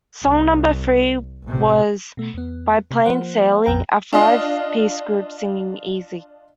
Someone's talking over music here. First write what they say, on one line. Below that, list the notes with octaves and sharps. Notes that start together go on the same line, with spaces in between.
Song number three was by Plain Sailing, a five-piece group singing "Easy".
C2
A1 C3
B2 A3
E2 B3
C3
F3 A#3 C5 F#5
A#1 F2 G5 A#5
D4 F4 D#5 F5